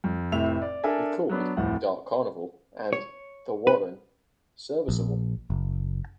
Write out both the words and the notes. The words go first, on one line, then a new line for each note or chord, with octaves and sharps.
He called "Dark Carnival" and "The Warren" "serviceable".
F2
F1 A2 C3 E5 F7
D5
D4 A4 A#4 E5 G#5
F#3 B3 D4
D1 F2 A2 F#5
C#5
B4
A#1
F#1